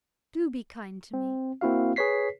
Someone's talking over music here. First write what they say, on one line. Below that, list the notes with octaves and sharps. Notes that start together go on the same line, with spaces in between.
Do be kind to me.
C4
A#3 C4 E4 F#4 F5
G#4 B4 C#5 B6 C7